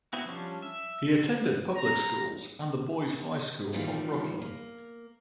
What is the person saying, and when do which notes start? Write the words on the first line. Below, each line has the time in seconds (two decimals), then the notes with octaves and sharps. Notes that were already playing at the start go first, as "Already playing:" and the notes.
He attended public schools and the Boys High School of Brooklyn.
0.13 B3 C4 E4 F#4
0.25 F3 G3 C#4 D4
0.62 E5
1.76 A#5
3.73 C3 D#3 E3 G3 A#3 F4
4.41 A#3